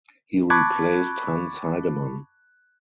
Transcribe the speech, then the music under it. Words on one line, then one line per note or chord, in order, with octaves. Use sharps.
He replaced Hans Heidemann.
A5 B5 C#6 D6 F#6 G#6